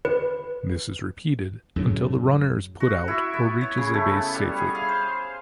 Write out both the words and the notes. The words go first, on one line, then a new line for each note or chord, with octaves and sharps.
This is repeated until the runner is put out or reaches a base safely.
B4
F#2 A2 C#3
F#4
E4
B3
C#5
C#3
A3
B3
G3
G#4
F5
C5